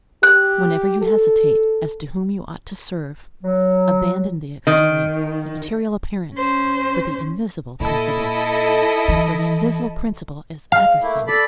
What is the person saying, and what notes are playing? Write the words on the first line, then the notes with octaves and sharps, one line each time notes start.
Whenever you hesitate as to whom you ought to serve, abandon the exterior, the material appearance for the invisible principle, for the invisible principle is everything.
G4 F#6
A4
F#3
D#3
C#4 C5
A#2 E4 A4 D#5
E3
G#3 F5
A3 A#3 E4
A4 D5 B5